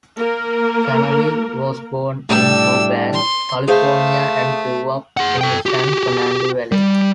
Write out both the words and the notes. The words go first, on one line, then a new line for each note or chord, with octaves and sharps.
Kanaly was born in Burbank, California and grew up in the San Fernando Valley.
A#3 A#4
A2 G3 D4 E6
C6
A3 G#4 C5 F5
G#4 F#5
A4 G5
F#4 G4
G3